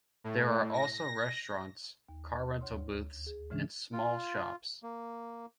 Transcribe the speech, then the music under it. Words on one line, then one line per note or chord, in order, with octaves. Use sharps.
There are also restaurants, car rental booths and small shops.
A2
A#6
D#2
D2 C#5 C6
G#4
G#2 C#3 E3 G#3 C#4 D4
F4
A#3